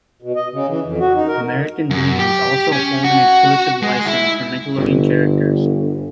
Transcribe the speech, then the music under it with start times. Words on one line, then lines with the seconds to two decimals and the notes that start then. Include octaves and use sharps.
American Greetings also holds an exclusive license for Nickelodeon characters.
0.22 B2
0.36 D#5
0.53 C#3
0.68 E3
0.85 F2
1.00 F#4
1.15 D#4
1.27 A#4
1.91 F#2
2.19 G4
2.72 C#4
3.04 F#4
3.83 G#3
4.07 E4
4.77 G1